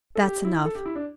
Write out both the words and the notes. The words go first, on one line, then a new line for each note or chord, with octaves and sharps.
That's enough.
A4
G4
E4
A4
G4
E4
D4